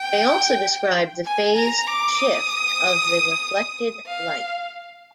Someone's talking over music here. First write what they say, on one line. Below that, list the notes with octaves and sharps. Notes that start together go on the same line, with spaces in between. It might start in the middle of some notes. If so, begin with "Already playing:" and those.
They also describe the phase shift of the reflected light.
Already playing: G5
G#5
A#5
D6
D#6
F5